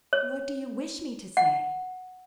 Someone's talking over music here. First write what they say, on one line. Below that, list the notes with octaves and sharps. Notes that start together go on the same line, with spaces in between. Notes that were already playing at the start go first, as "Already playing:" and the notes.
"What do you wish me to say?"
C#5
F#5